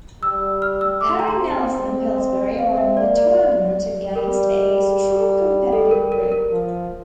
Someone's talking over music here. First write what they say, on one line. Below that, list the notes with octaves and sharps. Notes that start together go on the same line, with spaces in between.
Harry Nelson Pillsbury won the tournament against a strong competitive group.
G3 E6
F6
E6
A3 D6
C6
A#5
C6
C4
C4
C4 F5
E5
A#3 D5
D5
G3 A#4
A4
A#4
A#4
A#4
F3